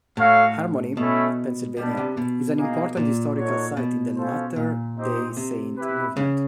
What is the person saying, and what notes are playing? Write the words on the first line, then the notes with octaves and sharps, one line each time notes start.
Harmony, Pennsylvania, is an important historical site in the Latter Day Saint movement.
A2 F#4 A4 C#5 F5
B2 A3 C#4 E4
B2 G3 B3 D4
C3
B2
A#3 D#4 G#4
A#2
D#4 F#4 A4 C#5
B2
C#4 F4 A4 C5
A#2
C4 D#4 G4 C5 D#5
C3
E4 G4 B4
C#3